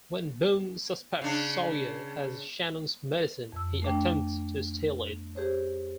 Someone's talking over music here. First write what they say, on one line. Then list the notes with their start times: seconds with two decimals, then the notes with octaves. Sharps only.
When Boone suspects Sawyer has Shannon's medicine, he attempts to steal it.
1.22 C#3 D4
3.52 F2 E6
3.82 A3 D4 G5
5.35 G4 G#4 C5 C#5